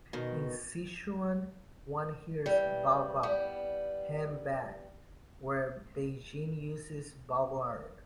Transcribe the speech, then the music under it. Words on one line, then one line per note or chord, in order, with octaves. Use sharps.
In Sichuan, one hears "baobao" "handbag" where Beijing uses "bao'r".
B2 D#3
E3 G3
G3 B3